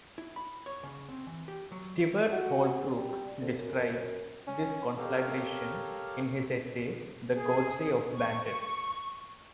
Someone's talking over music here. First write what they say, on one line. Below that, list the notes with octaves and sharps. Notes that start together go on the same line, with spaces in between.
Stewart Holbrook described this conflagration in his essay The Gorse of Bandon.
E4
B5
C#5
C#3
C4
E3
G4
F#3
F#4
G3
D2
F#2
C#4
G4 A4 A#4 C#5 F5
G#4
C#6